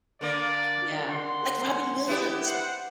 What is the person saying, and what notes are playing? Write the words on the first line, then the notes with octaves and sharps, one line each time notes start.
Yeah, like Robin Williams,
D3 A#3 D5
F#5 C6
B3 E4 G4
C5 F#5